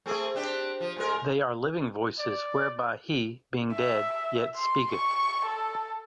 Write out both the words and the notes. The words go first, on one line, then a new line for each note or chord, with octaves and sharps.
They are living voices whereby he, being dead, yet speaketh!
A3 C4 G#4
C4 D4 G4
F3
A2 G#3 A#4
D5
E5
C6
C#6
A4